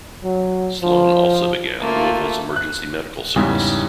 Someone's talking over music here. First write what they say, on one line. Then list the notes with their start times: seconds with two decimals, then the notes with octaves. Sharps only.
Sloane also began Louisville's Emergency Medical Service.
0.24 F#3
0.82 F3
1.81 A3 A#3 F4
2.56 F#6
3.36 E2 G#2 C#3 E3 G3